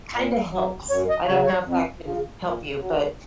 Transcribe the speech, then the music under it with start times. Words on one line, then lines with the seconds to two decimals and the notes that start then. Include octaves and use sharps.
kinda helps. I don't know if that can help you, but
0.14 A#2
0.52 F#3
0.90 F#2 C#5
1.09 D#5
1.28 C#3 F#3 C#5
1.47 C#5
1.66 F2
2.04 C#3 F3
2.42 A#2
2.80 F#3